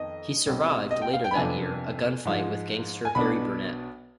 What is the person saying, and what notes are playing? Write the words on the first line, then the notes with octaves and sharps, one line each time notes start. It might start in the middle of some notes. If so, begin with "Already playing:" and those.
He survived, later that year, a gunfight with gangster Harry Brunette.
Already playing: F2 D#3 B3 D#5
B1 B2 G3 C4
D#5
G5
F5
G5
B5
F2 C3 F3 B3 D4 G#5
G#2 F3 G#3
G#5
B1 B2 B3 D4 B5